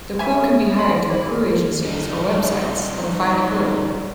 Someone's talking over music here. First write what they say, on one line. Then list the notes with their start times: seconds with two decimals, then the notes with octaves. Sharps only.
The crew can be hired through crew agencies or websites like Find a Crew.
0.19 E5 G#5
0.41 A4
0.79 B5
1.10 G#4 C5 D5
1.85 G3 D#4